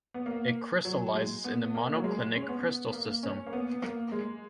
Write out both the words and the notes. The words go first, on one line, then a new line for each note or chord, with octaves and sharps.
It crystallizes in the monoclinic crystal system.
B3
A#3
F#3
G#3
B3
A#3
F#3
G#3
C#4
B3
A#3
C#4
A#3
B3
A#3
G#3